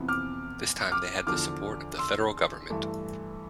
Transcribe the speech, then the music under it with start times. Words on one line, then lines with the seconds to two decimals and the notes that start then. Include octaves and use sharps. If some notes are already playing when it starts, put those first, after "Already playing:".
This time they had the support of the Federal Government.
Already playing: F2 C3 E3 B3
0.08 D6 F6
0.92 D6 F6
1.27 E2 D3 F3 D6 F6
1.98 C6 E6
2.70 G2 E3 A3